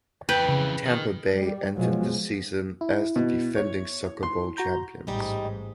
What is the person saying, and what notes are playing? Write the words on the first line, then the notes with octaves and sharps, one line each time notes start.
Tampa Bay entered the season as the defending Soccer Bowl champions.
F2 E3 B4 G5
C#3
D#3
G3
B2 F3 F#3 G#3
E4
B2
C#5
C6
F#4 A#5 G6
A1 G#2 G3 G#3 D#4